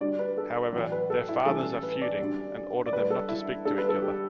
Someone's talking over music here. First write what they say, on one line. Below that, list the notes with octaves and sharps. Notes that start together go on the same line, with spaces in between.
However, their fathers are feuding and order them not to speak to each other.
D2 D3 G3 D5
B4
A4
B1 A2 E3 D5
B4
A4
E4
A1 A2 E3 G3 A4
B4
D5
D2 D3 G3
D5
G1 G2 D3 G3 B4
A4
E4
G1 G2 D3 G3 A4
B4
A4
G4